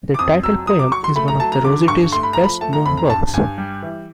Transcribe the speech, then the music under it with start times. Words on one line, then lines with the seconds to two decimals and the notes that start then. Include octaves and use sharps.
The title poem is one of Rossetti's best known works.
0.14 D6
0.19 F2 D#6
0.43 F#3 E6
0.67 F#3 D#6
0.79 D6
0.92 F#3 C#6
1.04 C6
1.16 A3 B5
1.28 A#5
1.40 F#3 A5
1.52 A#5
1.64 D3 D6
1.88 G2 C#6
2.12 A3 C6
2.23 B5
2.33 F3 A#5
2.44 B5
2.61 A3 A5
2.73 A#5
2.85 F2 B5
2.97 A#5
3.10 G2 A5
3.34 G2 G#5
3.58 G3
3.82 E3